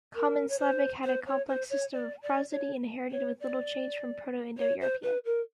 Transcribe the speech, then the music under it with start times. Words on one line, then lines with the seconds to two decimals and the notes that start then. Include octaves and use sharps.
Common Slavic had a complex system of prosody, inherited with little change from Proto-Indo-European.
0.15 A#4
0.49 C#5
0.58 C5
1.04 C5
1.26 C#5
1.47 C5
1.69 C#5
1.92 D5
2.22 D5
2.51 C#5
3.11 C#5
3.40 D5
4.58 C#5
4.80 C5
5.02 B4
5.25 A#4